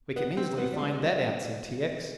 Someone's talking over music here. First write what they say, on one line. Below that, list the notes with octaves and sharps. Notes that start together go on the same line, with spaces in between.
"We can easily find that out," said T. X.
B3
C4
B3
G3
G#3
G#3
G3